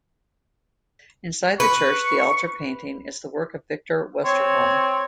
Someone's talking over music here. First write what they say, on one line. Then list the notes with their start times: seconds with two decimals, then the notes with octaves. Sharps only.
Inside the church, the altar painting is the work of Victor Westerholm.
1.60 B4 C#6
4.25 C4 C#5